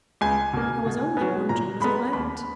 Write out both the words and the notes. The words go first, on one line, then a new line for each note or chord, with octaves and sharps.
I was only wondering was it late.
C#2 G#5
B2 A#3
B2
F#3 B3
A#2 A#5
G#3 B3 B5
D#2 B5